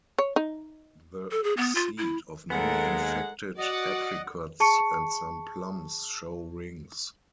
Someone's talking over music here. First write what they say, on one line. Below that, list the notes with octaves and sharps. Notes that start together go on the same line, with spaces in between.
The seed of many infected apricots and some plums show rings.
C#5
D#4
A4
G#4
B3
F4
E4
D#2 G#3 B3 A4 A#4 F#5
F#4 D5 D#5 F#5
G#4 A5 C#6 C#7